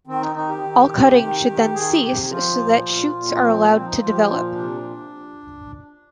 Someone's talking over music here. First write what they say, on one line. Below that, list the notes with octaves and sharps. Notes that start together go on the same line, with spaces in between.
All cutting should then cease so that shoots are allowed to develop.
D#3 C4
D#4
D#3 D#4
G4
D#3
C3
D#3
D#3
D#3 G#4
G4
C3 G4
F3 F4
A#2
A#2
A#2
F3 C4
A#3
F3 C4
D#4
F3 F4
G4
A#2 F4
C3 D4